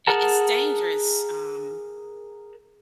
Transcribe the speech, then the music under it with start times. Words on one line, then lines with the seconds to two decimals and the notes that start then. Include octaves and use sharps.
I it's dangerous um,
0.07 G#4 A#4 F#5 A5 A#5